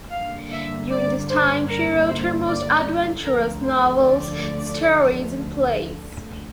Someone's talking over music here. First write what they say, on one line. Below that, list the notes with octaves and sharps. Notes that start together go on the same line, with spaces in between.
During this time she wrote her most adventurous novels, stories and plays.
G2 D3 G3 A#3 F5
E5
D5
C5
A#4
C5
D5
D2 D3 F3 A3 A#4
C5
D5